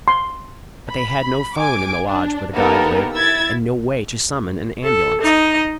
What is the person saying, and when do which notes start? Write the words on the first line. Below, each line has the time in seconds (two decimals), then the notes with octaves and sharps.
But they had no phone in the lodge where the guide lived and no way to summon an ambulance.
0.08 C6
0.89 B5
1.57 G#5 D6 D7
2.08 D4
2.54 A#3 B3 D#4 G4 A4 A#4
3.15 E4 E6 G#6 A6
4.84 A4
5.21 D#4 D#5